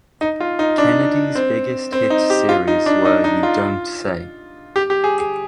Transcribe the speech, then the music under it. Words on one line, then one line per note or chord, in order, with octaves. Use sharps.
Kennedy's biggest hit series were You Don't Say!
D#4
F4
D#4
D4
C4
C4
D#4
G4
F4
D#4
D4
D#4
D#4
F4
G4
G4
G#4
G#4